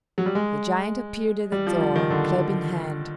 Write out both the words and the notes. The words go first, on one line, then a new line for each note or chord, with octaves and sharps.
The giant appeared at the door, club in hand.
F#3
G3
G#3
G3
F3
F3
D#3
D3